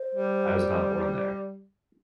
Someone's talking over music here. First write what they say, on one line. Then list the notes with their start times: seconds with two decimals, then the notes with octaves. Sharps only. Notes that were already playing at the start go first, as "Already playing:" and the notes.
I was not born there...
Already playing: C5
0.15 G3